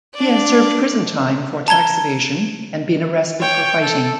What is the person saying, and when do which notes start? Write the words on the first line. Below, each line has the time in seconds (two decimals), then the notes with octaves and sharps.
He has served prison time for tax evasion and been arrested for fighting.
0.14 D4 D5
1.68 A5 A#5 G#6 G7
3.40 C#5 G5
3.81 A4